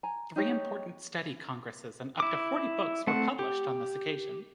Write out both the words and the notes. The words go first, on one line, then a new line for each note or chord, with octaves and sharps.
Three important study congresses and up to forty books were published on this occasion.
G#5 A#5
D#4 G4 C#5
E4 D6
A3 C4 F#5
G4